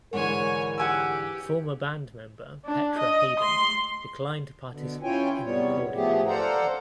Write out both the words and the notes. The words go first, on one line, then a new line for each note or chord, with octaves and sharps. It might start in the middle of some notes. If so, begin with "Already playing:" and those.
Former band member Petra Haden declined to participate in the recording of the album.
G#2 D3 E3 A#4 C#5 G#5
G4 F#5 G#5 E6
D4
D#5
C6
B2 D3
C#4 E4 F4 C#5 G5 G#5
E2 C3 G3 B3 C#5
F3 A3 B3 G4 G#4
A4 C5 D5 F5 F#5 A#5